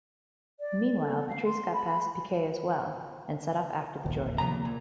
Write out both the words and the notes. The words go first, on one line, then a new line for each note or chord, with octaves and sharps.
Meanwhile, Patrese got past Piquet as well and set off after the Jordan.
D5
A4
F5
C6
B5
D1 A#1 D#2
E2 C3 F3 A#3 A#5
A#2